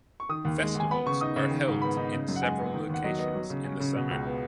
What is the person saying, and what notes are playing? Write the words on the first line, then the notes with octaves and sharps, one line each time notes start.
Festivals are held in several locations in the summer.
C#6
D#3 D#6
D#2
G#3
D#2 G#5
B3 B5
C#3 C#6
D#4 D#6
C#3
D#3
G#2
B3 B5
D#4
C#3
F#2
F#5
G#3 G#5
B3
D#3
D#2 F#5
F#3 D#5
B3 D#5
F#3
C#3
C#4
C#3
B2
C#2
B3